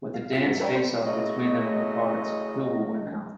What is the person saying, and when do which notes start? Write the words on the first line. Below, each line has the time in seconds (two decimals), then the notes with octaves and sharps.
With a dance face-off between them on the cards, who will win out?
0.14 F5
0.33 F4 A6 B6
0.45 G#2 F#3 C4
0.60 A4 B4 C#5 D5 G5 A#5
0.74 G4 B4 C5
1.04 F#2 A2 C#3 F#3 A3 D#5